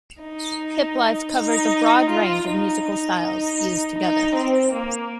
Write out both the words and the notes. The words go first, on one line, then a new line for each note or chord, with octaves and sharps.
Hiplife covers a broad range of musical styles fused together.
D#4
D#4
F4
D#4
D#4
D#4
C4
A#3